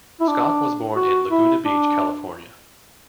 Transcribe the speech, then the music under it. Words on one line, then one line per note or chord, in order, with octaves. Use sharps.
Scott was born in Laguna Beach, California.
E4
D4
F#4
E4
D4